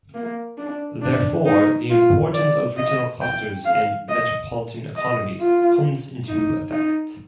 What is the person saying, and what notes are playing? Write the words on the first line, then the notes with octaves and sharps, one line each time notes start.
Therefore, the importance of regional clusters and metropolitan economies comes into effect.
A#3
D4
D4
D#4
F4
D5
D#5
G5
F5
D#5
D#5
F4
D#4
D#4